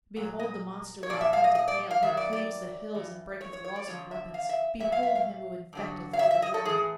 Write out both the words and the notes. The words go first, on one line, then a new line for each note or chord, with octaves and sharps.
"Behold the monster with the pointed tail, Who cleaves the hills, and breaketh walls and weapons, Behold him who infecteth all the world."
A#2 F#3
D#5
C#5
A#2 F3 D5
E5
F5
D#5
D#5
D5
F5
G2 D#3 F#3 E5
D5
D5
G2 E3
C#5
C#5
C#5
D5
F2 D3 F3 C#5
E5
F5
E5
A#2 F#3 E5
F5
E5
F5
G2 D3 F#3
F5
E5
E5
D#5
A4
A2 E3 G#4